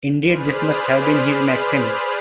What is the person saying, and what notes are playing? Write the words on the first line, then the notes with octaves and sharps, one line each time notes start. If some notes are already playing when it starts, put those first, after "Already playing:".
Indeed this must have been his maxim.
G#4 B4 C5 D5 B5 F6